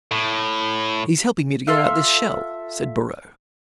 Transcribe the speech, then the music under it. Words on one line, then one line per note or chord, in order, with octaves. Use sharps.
"He's helping me to get out this shell," said Borrowe.
A2
F4 A4 E5 F5